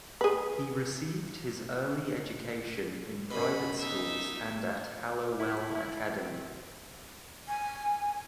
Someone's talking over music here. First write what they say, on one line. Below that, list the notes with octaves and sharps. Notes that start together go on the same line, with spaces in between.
He received his early education in private schools and at Hallowell Academy.
G#4 B4
F#2 B2 B5
D#4 E5
E4
E4
C4
G#5